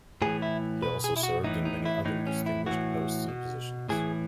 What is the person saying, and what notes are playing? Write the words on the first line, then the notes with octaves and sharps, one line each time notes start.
He also served in many other distinguished posts and positions.
A2 E3 G#4
E4
B2 B4
G#4
E4
F#4
A2 E3 D#4
D#4
E4
A2 E3 D#4
C#4
E4
A2 E3 F#4
B2
A2 E3 G#4